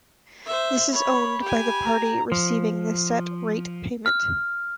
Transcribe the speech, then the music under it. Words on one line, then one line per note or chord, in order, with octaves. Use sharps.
This is owned by the party receiving the set rate payment.
C5 E5
C#5 B5
G4 G#5
A#5
F3
F6